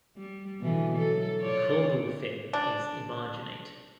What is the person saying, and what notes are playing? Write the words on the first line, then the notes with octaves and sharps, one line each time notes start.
The caudal fin is emarginate.
G3
B2 D3 E3
F#3 A4
F4 C#5 D5
D4